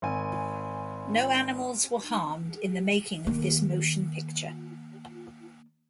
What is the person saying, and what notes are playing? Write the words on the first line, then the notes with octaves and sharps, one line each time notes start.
No animals were harmed in the making of this motion picture.
G#1 G#5
D#3 A#3